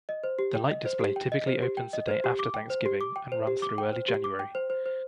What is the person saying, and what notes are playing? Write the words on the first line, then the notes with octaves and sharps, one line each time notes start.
The light display typically opens the day after Thanksgiving and runs through early January.
D#5
C5
G4
G5
D#5
C5
G4
G5
D#5
C5
G4
G5
D#5
C5
G4
D6
G5
C5
G4
D6
G5
C5
G4
D6
G5
C5
G4
D6
G5
C5
C5
C5